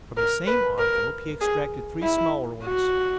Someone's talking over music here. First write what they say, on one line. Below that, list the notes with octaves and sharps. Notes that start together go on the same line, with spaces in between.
From the same envelope he extracted three smaller ones.
A#4
B4
A#4
G#4
E4
F#4